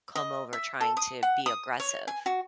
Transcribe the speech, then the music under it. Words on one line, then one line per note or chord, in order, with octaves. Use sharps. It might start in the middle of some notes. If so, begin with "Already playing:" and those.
come over trying to be aggressive.
D#5
E5
A4
D#6
F#5
D#6
C#5
G#5
F#4